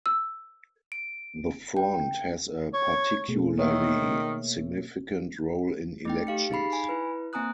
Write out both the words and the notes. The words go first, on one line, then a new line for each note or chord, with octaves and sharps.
The Front has a particularly significant role in elections.
E6
D7
G5
C#5
B2 A3 G#4
D#3 A#3 C#5 E5
A3 D#4 G5
G4 F5 C#7
D#4 G#4 F5 B5 C7
G#5 B5
E4 B4
A#3 C4 G#5 A#5 D#6 F#6